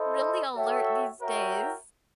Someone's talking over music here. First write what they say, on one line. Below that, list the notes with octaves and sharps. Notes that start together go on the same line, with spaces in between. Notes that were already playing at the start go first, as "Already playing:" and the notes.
really alert these days,
Already playing: E4 A4 C5 D#5
F#4 A4 C#5 E5 G5
F#4 A#4 C#5 E5 G5